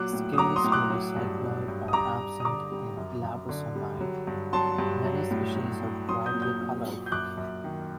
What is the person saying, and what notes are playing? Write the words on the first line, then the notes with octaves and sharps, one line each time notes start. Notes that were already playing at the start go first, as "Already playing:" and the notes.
Scales may be cycloid or absent in labrisomids; many species are brightly coloured.
Already playing: A#2 F#3 D6 F#6
A2
D#6
F#3 A#5 D6
C6 D#6
A2
D6 F#6
F#3
G2
F#3
G2
D#6
G2 A#5 D6
G2
D#6
D3 A#5 D6
G3
F#2
F#2
D3
G3
F#3
G2
F#3 A5 C6
G2
F#3
A2
F#3
A2
F#3 C6 D#6
D#6 G6
A#2
D#6 G6
F#3
A#2
G6
F#2 D6 F#6
F#2
D#3